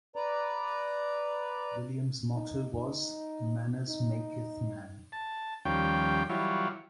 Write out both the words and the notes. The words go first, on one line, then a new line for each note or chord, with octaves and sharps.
William's motto was 'Manners makyth man'.
B4 D5 A#5
D#4
D#4
D#4
A5
D#2 F3 G3 C#4 G5
E3 F#3 G3 F4 C#5